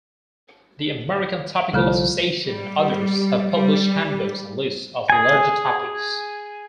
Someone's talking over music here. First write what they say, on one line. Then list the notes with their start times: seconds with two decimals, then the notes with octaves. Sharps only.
The American Topical Association and others have published handbooks and lists of larger topics.
1.73 C2 D3 F3 A3 A4
2.45 G3
3.50 G3
5.10 G#4 G#5